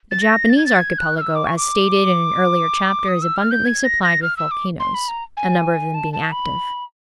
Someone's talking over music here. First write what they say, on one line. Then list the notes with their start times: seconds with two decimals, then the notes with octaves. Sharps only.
The Japanese archipelago, as stated in an earlier chapter, is abundantly supplied with volcanoes, a number of them being active.
0.11 A6
0.22 A#6
0.49 A6
0.57 G#6
0.66 A6
0.79 G#6
0.98 F#6
1.17 F6
1.21 E6
1.35 D6
1.46 C#6
1.57 D6
3.08 D#6
3.22 E6
3.36 F6
3.51 G6
3.65 G#6
3.84 A#6
4.03 A#6
4.22 F6
4.37 E6
4.51 D6
4.80 C6
4.94 B5
5.08 A#5
5.37 G#5
5.94 A5
6.13 A5
6.32 B5